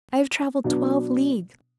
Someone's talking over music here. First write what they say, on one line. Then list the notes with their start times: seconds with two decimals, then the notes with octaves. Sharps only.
I have travelled twelve leagues.
0.64 B2 F#3 B3 D4